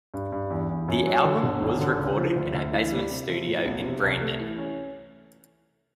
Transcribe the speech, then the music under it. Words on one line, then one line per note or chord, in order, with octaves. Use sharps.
The album was recorded in a basement studio in Brandon.
G2
G2
E2
E2
F#2
F#3
D3
G1
G#1
D3
C#2
F3
D2
D2
E3
G3
C3
F3
A2
B1
C3
C2
A3
E3
C#4